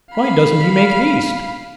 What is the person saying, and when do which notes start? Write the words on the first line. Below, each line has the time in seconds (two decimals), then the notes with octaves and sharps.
'Why doesn't he make haste!'
0.13 F5 B5